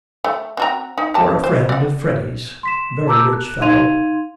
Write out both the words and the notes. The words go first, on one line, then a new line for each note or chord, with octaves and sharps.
'For a friend of Freddy's--a very rich fellow.
A3
C4 F#4 A#5
D#4
G4 A5
C5
D5 F#5
C6 B6 E7
A5 A#5 D6 E6 G6
F#6
D#4 F5 C6 G#6 D#7 F7